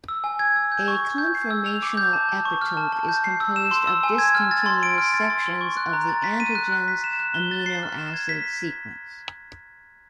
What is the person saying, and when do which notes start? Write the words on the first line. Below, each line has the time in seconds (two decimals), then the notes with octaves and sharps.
A conformational epitope is composed of discontinuous sections of the antigen's amino acid sequence.
0.08 E6
0.24 G#5
0.39 G#6
0.56 E6
0.72 G6
0.88 C#6
1.04 C#6
1.18 G6
1.35 C7
1.51 E6
1.66 F7
1.83 D6
1.97 G6
2.13 A5
2.29 A5
2.45 C#6
2.61 F6
2.77 A5
2.92 A5
3.08 G6
3.24 C7
3.40 E6
3.56 E7
3.71 C6
3.87 E6
4.03 G#5
4.18 G#6
4.35 F6
4.51 A6
4.66 C6
4.83 D7
4.98 F6
5.14 A6
5.30 C6
5.46 C6
5.61 C#6
5.77 F#6
5.93 A#5
6.09 A6
6.24 B6
6.40 D#7
6.55 F#6
6.72 F#6
6.88 B6
7.04 E7
7.19 F#6
7.34 G7
7.51 A6
7.66 C7
7.83 F6
7.98 E7
8.14 G#6
8.29 B6